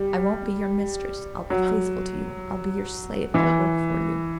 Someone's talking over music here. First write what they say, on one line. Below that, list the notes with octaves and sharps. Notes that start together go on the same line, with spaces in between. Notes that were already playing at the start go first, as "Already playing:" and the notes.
I won't be your mistress, I'll be faithful to you, I'll be your slave, I'll work for you.
Already playing: G3
F#3
E3